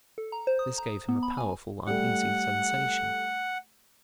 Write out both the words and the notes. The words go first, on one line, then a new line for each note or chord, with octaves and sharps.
This gave him a powerful, uneasy sensation.
A4
A#5
C5
D#6
A#5
B3
B5
G#5
G3 A3 F#5